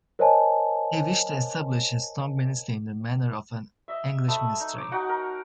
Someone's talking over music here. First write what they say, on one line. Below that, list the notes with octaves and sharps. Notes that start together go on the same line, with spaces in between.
He wished to establish a strong ministry in the manner of an English ministry.
A#4 C5 C#5 D#5 G#5 A5
D#5 E5
A3 E5 B5 D#6
D#4
C#5 D6
D#4 F#4 F#5 G5
A#4